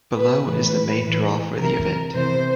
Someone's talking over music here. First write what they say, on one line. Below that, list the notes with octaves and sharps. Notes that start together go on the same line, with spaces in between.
Below is the main draw for the event.
B4
A2 E3 B4
A2 E3
C3 E3 A#4
C3 E3 C5